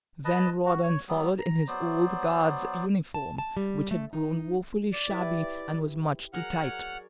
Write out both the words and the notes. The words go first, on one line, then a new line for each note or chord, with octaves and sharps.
Then Rawdon followed in his old Guards' uniform, which had grown woefully shabby, and was much too tight.
B4 D#5 A5
F#4
C#5
F#3 G3 B3
A#5
F#3 B3 C5 D5
A5
A5
G3
A3
D#4
D5
E4 G4 B4
F#3 G#4 A#4 F#5 F6
C#5 D5